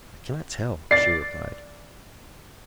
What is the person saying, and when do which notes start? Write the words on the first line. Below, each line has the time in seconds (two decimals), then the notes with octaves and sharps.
"I cannot tell," she replied.
0.91 D5 A6 C7